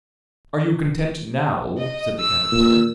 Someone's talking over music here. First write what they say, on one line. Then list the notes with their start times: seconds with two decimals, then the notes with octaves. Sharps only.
'Are you content now?' said the Caterpillar.
1.78 D#5
2.20 E6
2.52 A#2